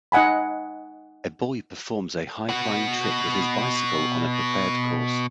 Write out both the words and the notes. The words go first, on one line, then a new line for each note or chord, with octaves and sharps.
A boy performs a highflying trick with his bicycle on a prepared course.
D#4 D#5 F#5 G#5 B5
B2 F#5